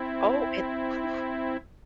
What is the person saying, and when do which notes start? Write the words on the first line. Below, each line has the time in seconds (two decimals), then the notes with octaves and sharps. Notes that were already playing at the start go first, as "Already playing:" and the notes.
Oh, and, oof.
Already playing: C4 E4